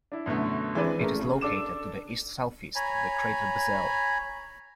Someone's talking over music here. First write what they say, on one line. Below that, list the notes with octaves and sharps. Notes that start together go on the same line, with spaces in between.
It is located to the east-southeast of the crater Bessel.
D4 E4
F#2 B2 D3 A3
E3 G#3 C4 D4 B4 D5
C#3 A3 A#4
C#3
D4 A4 D6 E7
C#5 G#5 A#5 B5